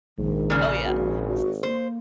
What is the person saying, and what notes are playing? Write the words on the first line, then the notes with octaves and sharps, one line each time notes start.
Oh yeah, s s
A#1 G#2 D#3
A#2 C#3
G#1 F#4
F#4
A#3 C5